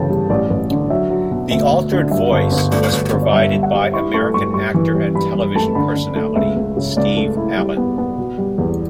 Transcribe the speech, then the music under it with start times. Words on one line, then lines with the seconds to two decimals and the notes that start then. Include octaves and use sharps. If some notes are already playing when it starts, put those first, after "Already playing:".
The altered voice was provided by American actor and television personality Steve Allen.
Already playing: G1 C#3 E3 G5 A5
0.10 G3
0.30 A1 D5
0.50 A1
0.70 D3
0.90 F#3 E5
1.10 F#3
1.31 B2
1.51 D2 E5
1.71 D2
1.92 D3
2.11 G2 E5
2.32 G1
2.52 G1
2.72 A3 D5
2.92 G1
3.13 G1
3.23 D5
3.33 G2 E5
3.53 G2
3.63 F#5
3.73 G3
3.93 E4 C#6
4.14 A3 C#6
4.34 G2 C#6
4.54 G3 C#6
4.74 E3
4.94 G3
5.15 G2 B5
5.35 G2
5.55 A3 A5
5.75 D3 B5
5.96 D3
6.16 A3
6.36 C#2 E5
6.56 C#2
6.77 C#3
6.97 C#2 D5
7.17 A3
7.37 E4
7.57 G3
7.77 B3
7.98 B3
8.18 B2
8.38 G3
8.58 E2